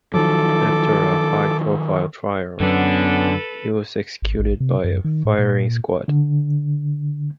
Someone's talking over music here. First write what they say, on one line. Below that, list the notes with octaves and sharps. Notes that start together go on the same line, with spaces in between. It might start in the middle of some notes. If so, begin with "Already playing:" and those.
After a high-profile trial, he was executed by a firing squad.
D#3 F3 F#3 A4 D6
F#2 D3 F#3 B3 C#4 D4 A4 B4
G#1
A1
C3
F#2
D#3
A2
A#2
D3